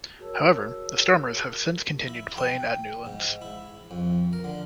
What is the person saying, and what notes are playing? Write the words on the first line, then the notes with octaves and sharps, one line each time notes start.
However, the Stormers have since continued playing at Newlands.
F#4 G#4 A#4 C#5 A5 E6
E4
G5
G#2
E4
F2
A#4
D3